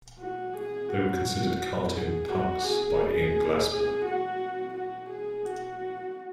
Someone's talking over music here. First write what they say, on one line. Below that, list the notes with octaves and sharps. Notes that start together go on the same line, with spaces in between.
They were considered "cartoon punks" by Ian Glasper.
F#4
G#4
F#4
G#4
F#4
G#4
G#4
F#4
F#4
G#4
F#4